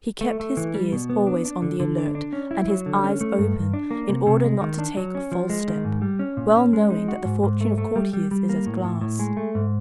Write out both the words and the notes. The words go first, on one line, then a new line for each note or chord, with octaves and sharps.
He kept his ears always on the alert and his eyes open in order not to take a false step, well knowing that the fortune of courtiers is as glass.
A3
A3
E3
G3
B2
B3
D4
D4
D3
D3
D4
D4
C#4
E4
F#3
D3
C#4
A3
G2
G2
D4
A#3
C3
C3
G#3
D#3
D4
F#3
C#4
F3
G#3
D#3
G#2
G3
C#4
A#2
C#4
G#3
D#4
F#4
G#2
G#2
A3
A3
G3
G3
G3
A#3
A2
A2
A2
G#3
A3
G#2